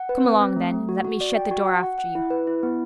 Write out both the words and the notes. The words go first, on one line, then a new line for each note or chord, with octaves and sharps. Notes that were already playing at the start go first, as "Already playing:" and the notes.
"Come along, then, and let me shut the door after you."
Already playing: F#5
B4
C4
C4
A3
A3
F#4
F#4
D5
G5
F#4
F#5
F#5
F#5
E4
B4
E4
B3